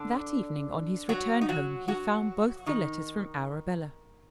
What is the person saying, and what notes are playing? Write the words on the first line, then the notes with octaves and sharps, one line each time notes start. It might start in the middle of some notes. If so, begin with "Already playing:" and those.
That evening on his return home he found both the letters from Arabella.
Already playing: D3 D4
F#3 F#4
D#4
F#3 F#4
F#3 F#4
D#3 D#4